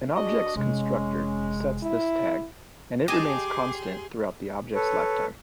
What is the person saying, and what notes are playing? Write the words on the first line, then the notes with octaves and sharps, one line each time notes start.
An object's constructor sets this tag, and it remains constant throughout the object's lifetime.
G#3 D4 F#4 D#5
F1 C3 G#3 C#4
E4
G4 G#4 D#5 G#5 A5 C6 D6
A4 B4 C#5